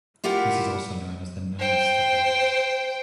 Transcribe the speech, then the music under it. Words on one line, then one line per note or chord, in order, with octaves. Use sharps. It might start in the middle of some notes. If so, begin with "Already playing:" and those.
This is also known as the Nernst effect.
E4 F4 G4 A#4 F#5
C5 G5